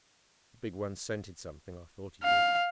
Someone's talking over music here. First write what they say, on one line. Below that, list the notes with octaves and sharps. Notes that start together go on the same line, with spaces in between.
"The big one scented something, or thought he did."
F5